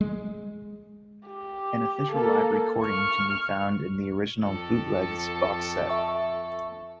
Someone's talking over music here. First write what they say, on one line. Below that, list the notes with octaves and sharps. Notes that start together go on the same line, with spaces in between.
An official live recording can be found in "The Original Bootlegs" box set.
G#3
G4
A#3 A4
C#6 F6
F2 A4
E5 A5 C#6